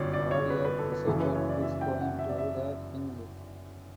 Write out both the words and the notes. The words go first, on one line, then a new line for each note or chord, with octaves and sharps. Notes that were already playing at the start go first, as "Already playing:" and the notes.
Warrier recited his poem to the king.
Already playing: G1 F#2 C#5 D5
D5
C#5
B4
B4
A4
B4
F#1 F#2 C#3 E3 A4
B4
C#5
D5
E5
G5
F#5
E5
D5
E5